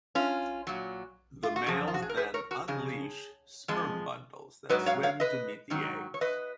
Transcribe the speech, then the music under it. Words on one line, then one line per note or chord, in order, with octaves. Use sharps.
The males then unleash sperm bundles that swim to meet the eggs.
C#4 F4
A#2 F#3
F4
F#4
F#2 F3 G#4
F4
F#4
G#4
A#4
G#4 B4
A#4 C#5
F#4 A#4
F2 C#3 G#4
F2 F3 G#3
G#2 F#3 B4 D#5
C#5 F5
C#5 F5
B4 D#5
G#2 D#3 F#3
C#5
B4 D#5